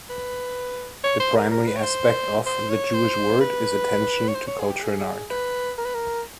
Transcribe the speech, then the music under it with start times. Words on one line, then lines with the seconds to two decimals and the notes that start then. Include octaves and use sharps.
The primary aspect of "The Jewish Word" is attention to culture and art.
0.10 B4
1.04 C#5
1.20 C5
1.36 A#4
1.52 A#4
1.67 B4
1.77 C#5
1.83 C5
2.46 C5
2.70 C#5
2.94 C5
3.41 B4
4.28 C#5
4.35 C5
4.47 C#5
4.60 G#4
4.71 G4
4.83 G#4
5.30 B4
5.78 A#4
5.85 B4
5.94 A#4